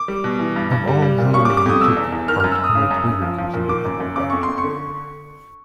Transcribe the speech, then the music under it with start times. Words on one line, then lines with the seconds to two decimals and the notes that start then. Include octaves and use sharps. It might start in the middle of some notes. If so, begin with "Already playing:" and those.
Of all those who took part only Twigger completed the whole route.
Already playing: D6
0.08 G3
0.24 B2
0.39 E3
0.56 G2
0.71 G2
0.87 G3
1.02 G3
1.18 A#2
1.34 C#3 C#6
1.45 D6
1.50 G3
1.57 D6
1.66 F2 D#6
1.81 B2 E6
1.97 E2
2.12 E2
2.28 D#3 F6
2.40 F#2 F6
2.52 E6
2.59 F#2 D#6
2.75 C#3
2.91 F#2
3.07 F#2
3.22 F3
3.38 F3
3.53 A#2
3.69 D#3 D6
3.85 F#2
4.00 F#2
4.16 C#3 D6
4.30 F2 C#6
4.43 C6
4.48 F2
4.58 C#6
4.64 D3